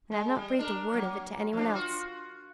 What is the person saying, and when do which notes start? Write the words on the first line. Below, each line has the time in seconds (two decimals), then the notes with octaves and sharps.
And I've not breathed a word of it to any one else.
0.12 G#3
0.36 G3
0.59 D4 A#4
0.92 F#3 A#3
1.53 F3 D4
1.74 F4 F#4